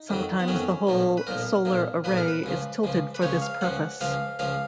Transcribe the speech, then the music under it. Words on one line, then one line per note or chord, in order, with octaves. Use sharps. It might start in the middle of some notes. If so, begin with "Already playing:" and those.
Sometimes the whole solar array is tilted for this purpose.
Already playing: D#4
F2 D#3 F#3
B3
F2 D#3 F#3 C#4
B1 A#2 F3
B4
B1 A#2 F3 A#4
B1 A#2 F3
B1 A#2 F3 B4
A#4
B4
C#2 C#3 F3
C#2 C#3 F3
B4
C#2 C#3 F3 C#5
F5
C#2 C#3 F3 F#5
C#2 C#3 F3 F5
C#2 C#3 F3 F5